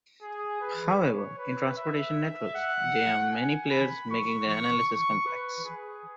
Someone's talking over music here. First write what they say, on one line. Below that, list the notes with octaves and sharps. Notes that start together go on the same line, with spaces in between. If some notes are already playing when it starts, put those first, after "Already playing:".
However, in transportation networks, there are many players, making the analysis complex.
G#4
B4
C#5
B4
E5
F#5
G#5
B5
C#6
C#6
C#6
B4
G#4